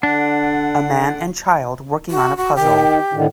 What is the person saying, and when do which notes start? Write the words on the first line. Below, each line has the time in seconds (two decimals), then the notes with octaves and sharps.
A man and child working on a puzzle.
0.03 D3 D4 F#5
2.11 F#4
2.37 F#4
2.56 D#3 G4
3.13 A2 D3 D#3